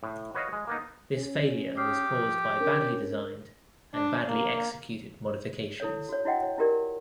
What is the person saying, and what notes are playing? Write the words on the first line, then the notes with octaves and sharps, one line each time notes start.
This failure was caused by badly designed and badly executed modifications.
A2
F#4 B4 C#5 D#5 F5
G#3
A#3 B3 D#4
C#4
G4 D#6 F6 C7
F3
C#4 D4 A#4
D4
A#3
E4 A4 C#5
F#4 C#5
E4 F#4 D#5 F#5 G5
C#5
E4 F4 G4 A#4 D5